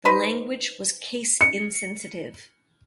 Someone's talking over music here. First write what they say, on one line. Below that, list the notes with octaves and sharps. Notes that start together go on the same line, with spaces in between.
The language was case insensitive.
D#4 B4 C5
C#7